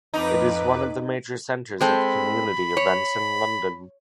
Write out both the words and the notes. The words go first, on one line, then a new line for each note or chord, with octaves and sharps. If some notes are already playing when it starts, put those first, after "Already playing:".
It is one of the major centres of community events in London.
F2 D#4 B4 D6
G#3 C4 A4 B5
C#5